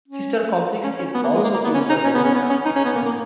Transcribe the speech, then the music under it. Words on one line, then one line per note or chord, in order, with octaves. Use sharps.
Sister complex is also used as moe term.
C#4
C#4
C#4
B3
A#3
G#3
A#3
A#3
B3
C#4
D#4
C#4
B3
C#4
B3
C#4
D#4
C#4
B3
A#3
A#3